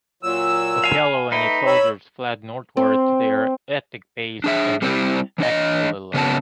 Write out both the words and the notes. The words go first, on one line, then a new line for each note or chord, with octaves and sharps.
Okello and his soldiers fled northward to their ethnic base in Acholiland.
A#2 F#3 E6
F5 G#5
A3 D#4 B4 G5
C#5 B5 E6
C4
D4 G#4 E5
G3 A#3 C4 C#4 E4 G4
E3 D4 C#5 D#5
C#3 B3 C#4 F#4 D#5 A5